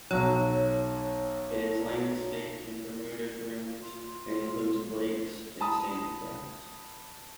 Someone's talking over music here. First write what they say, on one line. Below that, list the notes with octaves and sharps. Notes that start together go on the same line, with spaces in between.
It is landscaped in Bermuda Greens and includes lakes and sand traps.
B1 F#3 C#5
F4
A5 B5 D#6